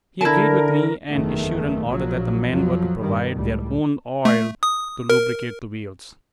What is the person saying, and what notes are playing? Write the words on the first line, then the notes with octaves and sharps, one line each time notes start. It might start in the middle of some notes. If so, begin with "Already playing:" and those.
He agreed with me and issued an order that the men were to provide their own oil to lubricate the wheels!
D3 E4 A#4 A5
F#1 E2 D#3 A3
A#1 A#2 F3 F#3
F2 F3 F#3
G2 B2 D#3 G3
C#2 A2 G3
A3
D#6
A#4